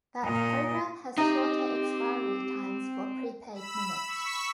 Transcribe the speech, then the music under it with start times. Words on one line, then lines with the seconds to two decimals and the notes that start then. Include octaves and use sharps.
That program has shorter expiry times for prepaid minutes.
0.25 A#2 D#5
1.17 C4 D#4 G4 D#5
3.53 B5 E6
4.07 C#6 E6 B6